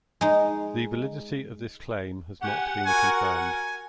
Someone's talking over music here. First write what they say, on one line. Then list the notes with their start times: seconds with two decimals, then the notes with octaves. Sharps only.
The validity of this claim has not been confirmed.
0.21 G#3 D#4
2.42 G4 F#5 G#5
2.86 F#4 A#4 G#5
3.24 G#5